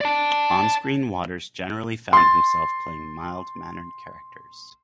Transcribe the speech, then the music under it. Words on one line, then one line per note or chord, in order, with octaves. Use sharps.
On screen Waters generally found himself playing mild mannered characters.
D5 A5
C6 A6